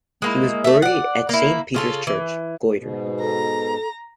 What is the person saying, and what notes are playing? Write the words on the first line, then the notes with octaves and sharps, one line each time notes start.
He was buried at Saint Peter's Church, Goytre.
G#3 A#3 E4
A3 E5
D5 F#5
A#3 E4
C#3 F4 A4
E3
G#2 B2
A4 A#5